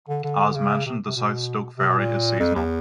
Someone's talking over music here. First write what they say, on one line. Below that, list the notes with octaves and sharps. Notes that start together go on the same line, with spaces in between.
As mentioned the South Stoke ferry is seasonal.
D3
D3
C#3
C3
C3
B2
C3
B2
A#2
F2
E2